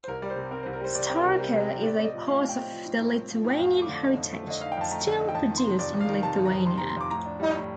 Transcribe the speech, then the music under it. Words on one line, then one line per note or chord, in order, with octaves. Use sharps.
Starka is a part of the Lithuanian heritage, still produced in Lithuania.
C5
C2 A#4
G3 D5
C5
C3
C4 A#4
C2 C5
A#4
G3 C5
C3 D5
C4
A#4
C2
A#4
G3 C5
C3
C4
A2 D5
C4 D5
D#5
F3
A2 F5
A2
G5
C4
F3
A2
A2
C4
F3
A2
G5
F2 F5
A3
D6
D3
D#4
F2
A3
D3 D#5
D#4 F5
G5
F2 A5
A3 A#5
D3
D#4
G5
F2 A5
D#3
C6
C3
F2 D5
F2
F5
D#3
C3 A5
F2
A#5
F2
D#3 C6
C3 A#5
C6
F2 D6
A2 A#5
D4
G3
A2